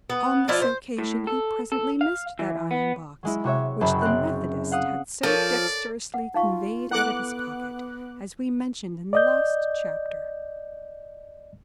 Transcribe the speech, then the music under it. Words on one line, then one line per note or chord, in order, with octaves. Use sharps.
On this occasion he presently missed that iron box which the methodist had so dexterously conveyed out of his pocket, as we mentioned in the last chapter.
B3
F3 D4 E4 F4
C5
A2
A4
A4
F5
E3
B3
F#3 G#3 E4
C3 F#4 C#5 E5
F#1 F#2 F#3 A5 B5
C4 F#6
F5 F#5 D#6
F3 A4 A#4 C#5 D5
F#5
D#4 F4 F5 C#6
B3 E4 A4 F#5 D6 F#6
D5 D#5 G6